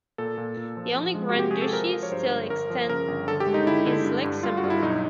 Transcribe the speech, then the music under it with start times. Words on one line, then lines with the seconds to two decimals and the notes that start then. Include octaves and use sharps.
The only grand duchy still extant is Luxembourg.
0.18 A#2 A4
0.38 A#2
0.57 A#2
0.77 F3
0.95 F3
1.15 G#3
1.29 F#4
1.35 C3 G4
1.51 F3 G#4
1.61 A4
1.73 F3 A#4
1.92 F3
2.03 C#5
2.11 G2 C5
2.31 G1
2.50 G1 A#4
2.70 F3
2.89 C#3 A#4
3.08 G1
3.28 D3 A4
3.40 G4
3.47 G#3
3.54 D#4
3.66 D3 E4
3.86 D3
4.05 G2
4.24 G2
4.43 G2 F4
4.57 F#4
4.64 G2
4.70 E4
4.82 B1 D#4